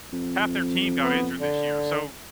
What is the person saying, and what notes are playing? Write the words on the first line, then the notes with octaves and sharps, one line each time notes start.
half their team got injured this year, so
F2
B3
D3